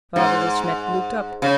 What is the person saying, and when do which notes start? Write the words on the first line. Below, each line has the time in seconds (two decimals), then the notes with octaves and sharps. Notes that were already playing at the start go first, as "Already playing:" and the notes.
Father De Smet looked up.
0.16 G#2
1.42 C#3